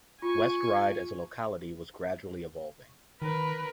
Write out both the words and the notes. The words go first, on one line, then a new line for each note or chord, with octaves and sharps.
West Ryde as a locality was gradually evolving.
F4 G#5 C#6
D#3 A#4 B4